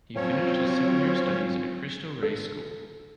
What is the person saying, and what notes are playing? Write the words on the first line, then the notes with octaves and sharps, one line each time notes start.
He finished his secondary studies at Cristo Rey School.
F2 F3 F#3 C4 C#4 C#5
A4